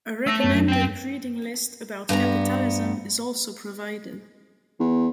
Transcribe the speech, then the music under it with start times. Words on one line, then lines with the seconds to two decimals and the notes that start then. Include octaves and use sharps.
A recommended reading list about capitalism is also provided.
0.27 A3 E6 A#6
0.40 F#2 C#5
0.55 F#2
0.68 C4 G5
2.09 G2 B3 A#4 A#5
4.79 E2